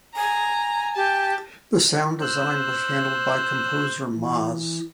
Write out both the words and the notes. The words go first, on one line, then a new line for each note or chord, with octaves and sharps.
The sound design was handled by composer "Maz".
G#5 A#5
G4 A5
C5 E6 F#6
E3